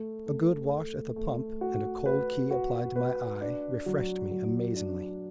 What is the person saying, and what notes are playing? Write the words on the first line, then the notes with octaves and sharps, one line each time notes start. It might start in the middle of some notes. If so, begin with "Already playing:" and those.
A good wash at the pump, and a cold key applied to my eye, refreshed me amazingly.
Already playing: A3
A3
A3
A3
F#4
B4
F#4
B4
D4
F#3
F#3
D4